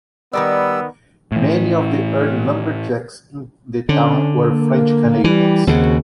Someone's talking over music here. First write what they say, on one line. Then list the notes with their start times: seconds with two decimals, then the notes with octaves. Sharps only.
Many of the early lumberjacks in the town were French Canadians.
0.33 D#3 G3 B3 A#4 D5 E6
1.32 A2 E3
3.89 D3 C#4 D4
4.47 A#3
5.24 E3 G3
5.67 D#2 C#3 C4 F#4 G#4